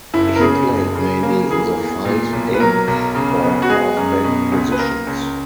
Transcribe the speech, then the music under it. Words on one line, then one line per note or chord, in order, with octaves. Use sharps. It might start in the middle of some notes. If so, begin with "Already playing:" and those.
He played mainly in the five-eighth or halfback positions.
F#1 E4
A#4
C#3 G#4
F#1
C#3
A#3
E3 G#4
E2
A#2
B1
B4
F#3 A#4
B1
C#3
B3
F#4
G#3 G#4
F#2
B2
C#2
B4
A#3 A#4
C#2